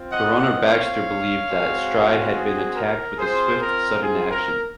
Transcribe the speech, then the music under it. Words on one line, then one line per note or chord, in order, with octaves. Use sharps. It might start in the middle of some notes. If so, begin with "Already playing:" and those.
Coroner Baxter believed that Stride had been attacked with a swift, sudden action.
Already playing: C4 F4
D#5 F#5
D#5 F#5
C#5 F5
G#3 C4 F#4
G#4
A#4
C4 F4 G#4 C5
A#4
G#4
A#4